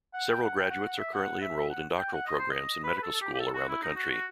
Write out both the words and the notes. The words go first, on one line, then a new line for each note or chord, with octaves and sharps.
Several graduates are currently enrolled in doctoral programs and medical school around the country.
F#5
G5
F#5
G5
F#5
F#5
E5
F#5
E5
F#5
G5
F#5
D#5
C5
D#5
B4
B4
A4
A4
G4
G4
A4
F#4
E4
D#4
F#4
F#4